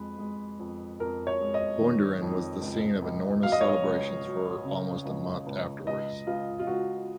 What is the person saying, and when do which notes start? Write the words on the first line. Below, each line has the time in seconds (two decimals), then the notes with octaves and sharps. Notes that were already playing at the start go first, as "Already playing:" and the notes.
Bundoran was the scene of enormous celebrations for almost a month afterwards.
Already playing: F2 G#3 B4
0.18 G#3
0.59 F2
1.00 F2 A#4
1.27 C#5
1.41 G#3
1.54 D#5
1.81 D#3
2.22 F2
2.62 C#2
3.02 C#2
3.43 F#3 F5
3.52 D#5
3.61 C#5
3.69 D#5
3.84 C#2
4.25 F#3
4.64 C#3
5.05 C#2
5.46 C#2
5.87 C#2 D#5
6.27 C#2 F4
6.59 F4
6.67 C#2 F#4